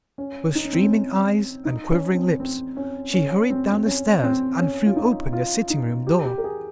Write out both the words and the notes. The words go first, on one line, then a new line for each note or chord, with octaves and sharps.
With streaming eyes and quivering lips she hurried down the stairs and threw open the sitting-room door.
C#4
D#4
C#4
C4
C#4
D#4
C#4
C4
C4
C#4
C#4
C4
C4
C#4
C4
C#4
F4
D#4
F4
D#4
G4
G4
A#4
G#4